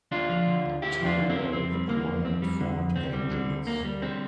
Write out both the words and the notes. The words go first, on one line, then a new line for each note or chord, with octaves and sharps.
Tyrrell acquired Ford engines.
D2 D4 F4
F3
D3
D2
D2 E4 G4
F3
D4 F4
D3
C4 E4
D2
F2 C4
G3
D3 A#3
F2
F2 C4
G3
D3
F2
D2 C4
G3
D3
D2
D2 A#3
G3
D3 C4